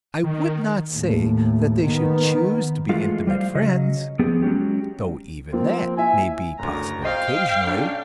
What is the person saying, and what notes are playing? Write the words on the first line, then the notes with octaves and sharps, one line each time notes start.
I would not say that they should choose to be intimate friends--though even that may be possible occasionally.
D#3
D#2 A2
D#3 B3
E3 G#3 A3 F4
G3 C5 F5
C#3 F#3 D#5
F3 B3 G4 G#4
F#3 G#3 C#4 G4
F3 A#3 C4 F4
E4 E5 G#5
F#1 D2 A#5
C5 D#5 F5 G5 C7
B1 C#4 D4